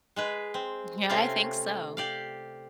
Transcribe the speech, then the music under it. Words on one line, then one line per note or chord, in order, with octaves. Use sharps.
Yeah, I think so.
G#3 G#4 B4
C4
C3 A3 C4 C#4 F4 F5
G4 D5 F5